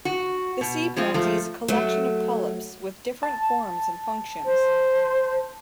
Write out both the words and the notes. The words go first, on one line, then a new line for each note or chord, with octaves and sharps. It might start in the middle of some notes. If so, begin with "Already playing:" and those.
The sea pansy is a collection of polyps with different forms and functions.
F#4
B2
F3 G#3 C4 F4
F3 A3
F#3 A3
A5
C5